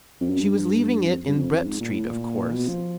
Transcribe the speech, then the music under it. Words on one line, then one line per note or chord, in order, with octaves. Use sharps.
She was leaving it in Brett Street, of course.
F2
F#2
G2
F2
G2
F2
F2
G#2
A#2
A2
A#2
B2
F3